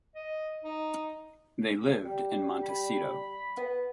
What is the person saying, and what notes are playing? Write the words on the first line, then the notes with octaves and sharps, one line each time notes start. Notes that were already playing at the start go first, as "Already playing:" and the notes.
They lived in Montecito.
D#5
D#4
G3
B5
B3